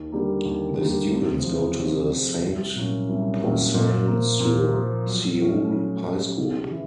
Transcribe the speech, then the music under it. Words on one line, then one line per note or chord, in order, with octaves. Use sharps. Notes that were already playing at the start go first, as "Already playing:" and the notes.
The students go to the Saint-Pourçain-sur-Sioule high school.
Already playing: D#2
D3 G3 A#3
D#2
D3 G3 A#3
C3
F3 G#3
C3
F3 G#3
C2
A#2 F#3 A#3 C#4
C2
A#2 F#3 A#3 C#4
A#2
F3 A#3
A#2
F3 A#3
F#3
A3 C#4
F#3
A3 C#4
C#3
E3